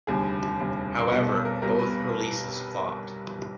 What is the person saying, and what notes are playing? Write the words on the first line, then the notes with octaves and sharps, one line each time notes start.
However both releases flopped.
F1 D#2 D3 G3 G#4
F1 D#2 D3 G3
B1 B2 G3 B3
A4
A#4
B1 B2 G3 B3 A#4
B4